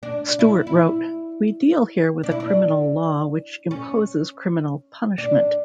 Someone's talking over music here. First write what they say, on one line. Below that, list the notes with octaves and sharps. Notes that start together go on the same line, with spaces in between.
Stewart wrote, We deal here with a criminal law which imposes criminal punishment.
D4
E4
E4
D4
E4
D4
C#4
D4